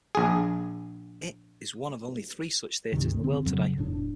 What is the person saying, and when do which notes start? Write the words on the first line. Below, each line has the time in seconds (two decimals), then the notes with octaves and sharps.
It is one of only three such theaters in the world today.
0.15 A#1 G#4
2.92 C#2 G2 C3 D#3
3.21 D3 C4
3.46 F2 C#3 F#3
3.78 E1 A2 D4